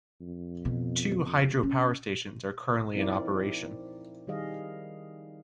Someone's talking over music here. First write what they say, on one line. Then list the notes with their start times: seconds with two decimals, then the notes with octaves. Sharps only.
Two hydro power stations are currently in operation.
0.21 F2
0.65 B2
1.63 C#4
2.95 F3 C4 D#4 E4 A#4 D5
4.27 D#3 G3 G#4 D#5 F5